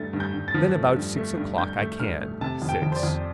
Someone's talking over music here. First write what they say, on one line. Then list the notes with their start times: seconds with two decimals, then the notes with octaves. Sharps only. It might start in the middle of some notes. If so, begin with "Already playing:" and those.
Then about six o'clock I can. Six.
Already playing: G2 A3 A6
0.13 G2
0.20 G6
0.34 G2
0.48 A6
0.54 F3
0.75 A3
0.96 G2
1.16 A3
1.37 G2
1.58 G2 G6
1.79 A3
1.99 G2 F6
2.21 A3
2.41 C3 A5
2.62 F2
2.69 G5
2.82 F2
2.92 C5
2.96 D5
3.03 F2